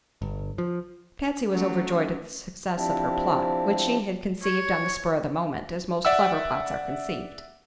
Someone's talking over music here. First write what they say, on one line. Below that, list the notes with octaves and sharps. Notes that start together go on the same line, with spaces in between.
Patsy was overjoyed at the success of her plot, which she had conceived on the spur of the moment, as most clever plots are conceived.
G1
F3
F#3 A3 C#4
F3 C4 D4 E4 G4
C#5
D5 E5 F#5 E6